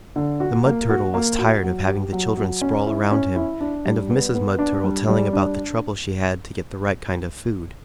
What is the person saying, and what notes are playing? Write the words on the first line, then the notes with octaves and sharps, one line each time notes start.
The Mud Turtle was tired of having the children sprawl around him, and of Mrs. Mud Turtle telling about the trouble she had to get the right kind of food.
D3
F#4
A#3
F#4
A#3
F#4
F#3
G4
F#3
F#3
C#4
E4
C#4
E4
D4
G3
B3
B3
D4
G3
G3
D4